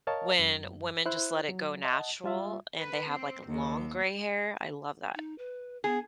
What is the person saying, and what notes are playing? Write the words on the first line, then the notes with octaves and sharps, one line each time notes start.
when women just let it go natural and they have, like, long gray hair. I love that.
A#4 C#5 D#5 F5 A5
F#2
E4 C5 F#6
F#3
D#5 F#5 A5
G3 F4 E5
B4
C4
D#2
D#4
B4
B3 G#4